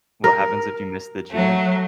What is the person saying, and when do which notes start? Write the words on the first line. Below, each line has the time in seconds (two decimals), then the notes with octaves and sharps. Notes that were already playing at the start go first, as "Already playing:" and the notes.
What happens if you miss the gym?
0.24 A#4
1.32 F#3 A3